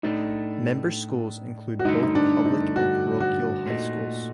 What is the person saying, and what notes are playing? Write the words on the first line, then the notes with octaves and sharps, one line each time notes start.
Member schools include both public and parochial high schools.
A2 A3 D4 D#4
F#4
G2 D3 A3 D#4
D#4
D4
D#4
F#4
F#4
A#2 A3 D#4